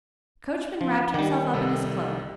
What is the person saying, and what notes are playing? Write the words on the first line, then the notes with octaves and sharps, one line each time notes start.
The coachman wrapped himself up in his cloak.
F3
D#3 G3 F#5 G5 D6
C2 C3 A4